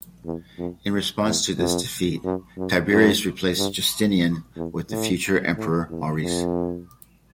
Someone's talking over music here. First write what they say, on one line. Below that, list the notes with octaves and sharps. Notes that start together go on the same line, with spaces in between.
In response to this defeat, Tiberius replaced Justinian with the future emperor Maurice.
E2
F2
E2
F2
F#2
F#2
F#2
G2
E2
A2
A2
E2
F2